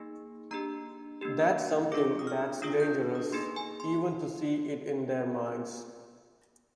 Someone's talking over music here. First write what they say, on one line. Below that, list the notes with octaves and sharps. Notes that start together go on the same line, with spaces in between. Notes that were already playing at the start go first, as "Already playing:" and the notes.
That something that's dangerous, even to see it in their minds.
Already playing: A#3 D#4 G#4
A#3 D4 G4 A#5
A#3 D4 G4
D4 F4 G#4 D6
D#6
F6
D4 F4 G#4 D#6
G6
D#6
A#3 D#4 G#4 C6
G#5
C6